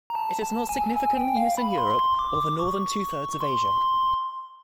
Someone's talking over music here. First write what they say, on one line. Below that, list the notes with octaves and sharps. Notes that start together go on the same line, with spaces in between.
It is not significantly used in Europe or the northern two thirds of Asia.
A#5
A5
A5
G#5
G#5
G5
F5
B5
C6
D6
C#6
C6